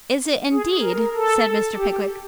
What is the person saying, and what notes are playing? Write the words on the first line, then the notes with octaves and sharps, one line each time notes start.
'Is it, indeed?' said Mr. Pickwick.
G#4
A#4
A4
G4